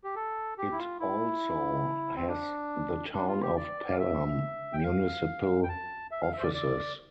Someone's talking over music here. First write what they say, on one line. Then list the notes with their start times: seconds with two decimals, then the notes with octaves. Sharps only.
It also has the Town of Pelham Municipal offices.
0.04 G4
0.16 A4
0.58 G4
0.72 E4
0.78 F4
1.00 E4
2.16 C4
2.28 D4
3.13 D4
3.28 F4
3.42 G4
3.56 D5
3.91 F5
3.99 E5
4.73 G5
4.84 F5
5.63 G5
5.69 A5
6.11 E5
6.22 F5
6.33 E5
6.38 C5
6.43 D5
6.55 D5